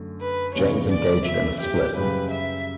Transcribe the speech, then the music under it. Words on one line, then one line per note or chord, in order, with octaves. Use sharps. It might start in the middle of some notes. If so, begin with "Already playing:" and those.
James engaged in a split.
Already playing: F#2 D3 A3
B4
F#1 E2 C#3 C#5
D5
E5
G4
F#2 C#3 G3 B4
E5